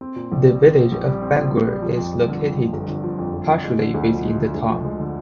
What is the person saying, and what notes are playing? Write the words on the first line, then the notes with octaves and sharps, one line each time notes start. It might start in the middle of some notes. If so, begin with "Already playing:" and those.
The Village of Bangor is located partially within the town.
C4
A#2
A#1
G3
C4
A#2
A#1
G3
C4
A#2
A#1
G3
F3
F2
G1
D3
F3
F2
G1
D3
F3
F2
G1
D3
G#3
D3
D2
F3
G#3
D3
D2
F3
G#3
D3